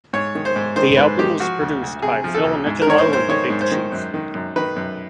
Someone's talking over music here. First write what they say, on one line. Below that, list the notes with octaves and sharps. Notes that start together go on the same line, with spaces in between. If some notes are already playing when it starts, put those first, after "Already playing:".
The album was produced by Phil Nicolo and Big Chief.
G#2 C#5
D#3
C5
G#2
D#3 C5
G#2 B4
D#3 G4
F3 F#4
D2
D2
C3 G#4
F3
A4
D2
G#2
A#4
D#3 C#5
C5
G#2 C5
D#3 C#5
G#2
C5
D#3
F#2
D#3
F#2
D#3 B4
F#2